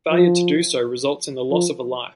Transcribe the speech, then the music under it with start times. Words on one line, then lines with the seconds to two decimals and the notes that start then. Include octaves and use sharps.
Failure to do so results in the loss of a life.
0.11 F3
1.51 F3